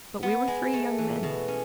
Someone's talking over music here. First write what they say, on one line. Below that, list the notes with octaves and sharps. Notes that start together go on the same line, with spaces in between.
But we were three young men.
B3
G#3
A3
E3
B2
C#4